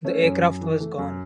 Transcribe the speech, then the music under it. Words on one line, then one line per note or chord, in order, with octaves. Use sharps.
The aircraft was gone.
A3 C#4
F#2
F#2
E3
A3
F#2